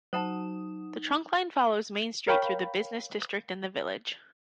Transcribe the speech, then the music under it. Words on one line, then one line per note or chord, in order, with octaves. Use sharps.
The trunkline follows Main Street through the business district in the village.
F#3 D#4 C5 F#5 A5 D#6 E7
A#4 C#5 F5 G5 B5